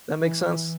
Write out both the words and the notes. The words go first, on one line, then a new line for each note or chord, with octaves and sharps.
that makes sense?
E3